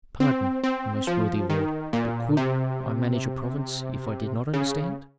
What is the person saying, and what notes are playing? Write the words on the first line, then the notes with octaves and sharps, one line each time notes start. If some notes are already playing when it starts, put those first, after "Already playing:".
"Pardon, most worthy lord, but--could I manage a province if I did not understand?"
C4
C4
F3
D#3
A#2
C3
C#3